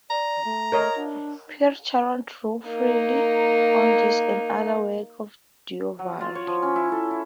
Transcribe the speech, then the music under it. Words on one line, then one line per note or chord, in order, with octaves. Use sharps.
Pierre Charron drew freely on these and other works of Du Vair.
D5 A#5
A3
A#4 C#5 D#5
D4
A#3 D#4
F#3
F4
C#5
F3
C#4
E4
A4
E4